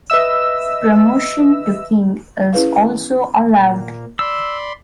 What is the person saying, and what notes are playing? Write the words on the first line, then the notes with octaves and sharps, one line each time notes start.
Promotion to king is also allowed.
B4 D#5 E5 E6
C#4 E4 G#4 B4 C#5 F5
A#2 A#3
D5 B5 C6 E6